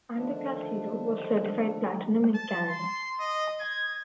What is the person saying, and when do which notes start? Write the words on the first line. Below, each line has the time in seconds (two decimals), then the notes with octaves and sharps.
"Underclass Hero" was certified Platinum in Canada.
0.15 D3 D#3 F3 A3 D4
2.35 A5
2.68 C6
3.20 D#5
3.60 G#6